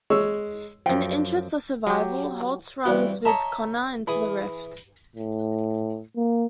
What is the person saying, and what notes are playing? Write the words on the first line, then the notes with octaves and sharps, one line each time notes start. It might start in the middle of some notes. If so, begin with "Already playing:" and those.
In the interest of survival, Holtz runs with Connor into the rift.
G#3 C#5 E6
F#2 F3 G5
F#3 G4
G2 E3 C4 F#4 D5
C#5 D#5 E5 A5 A#5
E3 G#4 B5 D#6
A2
A#3